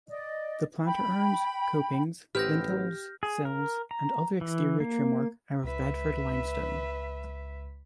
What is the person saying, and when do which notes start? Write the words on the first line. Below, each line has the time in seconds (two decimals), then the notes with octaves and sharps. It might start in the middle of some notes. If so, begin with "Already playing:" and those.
The planter urns, copings, lintels, sills and other exterior trimwork are of Bedford limestone.
0.09 D5 D#5
0.86 G5 B5
2.35 A1 B3 C4 G4 F6 G6 A#6
3.23 G#4
3.45 A#4
3.91 A#5
4.41 E3
4.80 A#3
5.64 C#2 B4 E5 B6